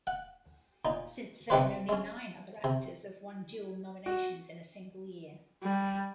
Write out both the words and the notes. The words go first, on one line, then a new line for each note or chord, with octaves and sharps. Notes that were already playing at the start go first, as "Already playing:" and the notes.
Since then, only nine other actors have won dual nominations in a single year.
F#5
A#2 D#4
C3 G3 D#4 G4 B4 C5
G#3 C#4
C3
F#4
G3